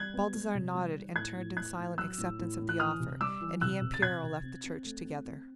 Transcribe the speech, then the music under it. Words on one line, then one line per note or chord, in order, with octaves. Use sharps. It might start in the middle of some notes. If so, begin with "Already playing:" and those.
Baldassarre nodded, and turned in silent acceptance of the offer, and he and Piero left the church together.
Already playing: G3 F#6 G#6
B3
G3
C3
G3
D#3
A2 F#6 G#6
A2
A2 F#6 G#6
A2
F#3 E6 F#6
A2
A2
A2
F#6
E3 D#6 F6
C3
G3 D6 E6
E3
C3 E6 F#6
C3
A6
C3 F#6 G#6
C3
C4
C4
A3
C4
C4